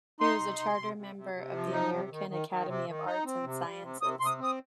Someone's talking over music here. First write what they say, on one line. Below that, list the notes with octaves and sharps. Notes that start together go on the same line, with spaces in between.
He was a charter member of the American Academy of Arts and Sciences.
D#4 C6
C3
C3
C3
C3
C3
C3
F3
D#4
C3
D#3
D#3
D#3
C3
D#3
D#4
C4
C3
G3
C3
C3 D#6
C3 C6
D#6
C4 D#6